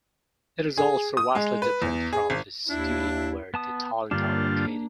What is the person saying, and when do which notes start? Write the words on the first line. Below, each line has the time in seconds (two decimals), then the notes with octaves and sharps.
It is also vastly different from the studio where the talent are located.
0.78 G#4
1.17 D#6
1.35 G#3
1.62 B4
1.82 E2
2.13 G#4
2.30 G#1
2.69 D#2 D4 E4
3.54 B3 A5 D#6
4.11 G2 D3 A#3 D4 F4